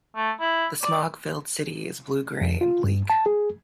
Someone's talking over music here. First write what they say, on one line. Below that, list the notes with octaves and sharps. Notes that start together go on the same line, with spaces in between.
The smog filled city is blue-grey and bleak.
A3
E4
D5
F2
F4
G2
A5
G#4